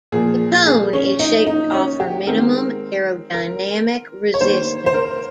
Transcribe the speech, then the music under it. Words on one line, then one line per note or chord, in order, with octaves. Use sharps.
The cone is shaped to offer minimum aerodynamic resistance.
A#2 F3 A#3 G#4
G#4
C#4
D#4
D#4
C#4
G4
D#3 G#3 C4 A#4
A#4
C#5
D#3 G3 A#3 C5
C5
A#4